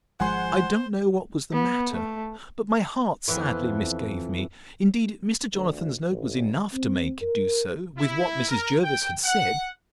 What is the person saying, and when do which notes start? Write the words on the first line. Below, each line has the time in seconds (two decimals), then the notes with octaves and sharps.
I don't know what was the matter, but my heart sadly misgave me: Indeed, Mr. Jonathan's note was enough to make it do so, with what Mrs. Jervis had said.
0.20 G#1 F3 G#3 C5 F#5 G#5 C6
1.52 B3
1.92 A3
3.28 F2 E3 B3
5.53 D2
6.10 A1
6.73 C4
7.21 A#4
7.97 E4
8.49 A#4
8.83 G5
9.24 F#5